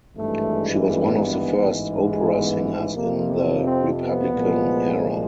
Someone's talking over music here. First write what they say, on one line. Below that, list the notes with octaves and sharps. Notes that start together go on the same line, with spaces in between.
She was one of the first opera singers in the Republican era.
G#1 G2 E3 G#3 A3
B3
A1 G#2 E3 G#3
B3
F2 C3 F3 A#3
C4
B3
C2 A#2 F3 G#3